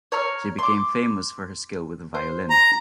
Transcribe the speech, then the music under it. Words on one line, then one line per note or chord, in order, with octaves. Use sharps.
She became famous for her skill with a violin.
C#5 A#5 F6
C6 D6
C5
A#5